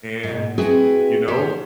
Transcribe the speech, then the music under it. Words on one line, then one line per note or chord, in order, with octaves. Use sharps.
and, you know
G#2 B2
C4 E4 F#4 G#4 B4
G4 C5 C#5